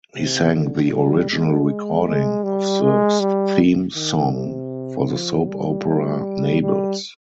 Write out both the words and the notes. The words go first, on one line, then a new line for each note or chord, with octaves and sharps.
He sang the original recording of the theme song for the soap opera "Neighbours".
C3
D3
G3
G#3
G#3
G3
G#3
G3
D#3
C3
F3
G3
G3